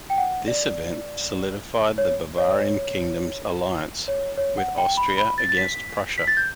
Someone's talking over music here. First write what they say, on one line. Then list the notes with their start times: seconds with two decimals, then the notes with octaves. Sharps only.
This event solidified the Bavarian kingdom's alliance with Austria against Prussia.
0.10 G5
0.18 F#5
0.48 D5
1.98 C#5
2.38 C#5
4.08 C#5
4.38 C#5
4.58 F#5
4.78 G5
4.97 B5
5.18 B5
5.38 A6
5.49 A6
5.58 B6
6.18 B6
6.27 A6
6.37 G6